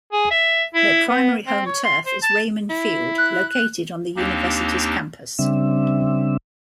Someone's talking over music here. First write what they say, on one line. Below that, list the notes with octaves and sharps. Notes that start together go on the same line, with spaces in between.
Their primary home turf is Raymond Field located on the University's campus.
G#4
E5
E4
B3
C4
C#5
C6
C5
A5
E4
F#6
D#2 A#3 C4 D4 D#4 G4
C#3 G3 C4 D4 E5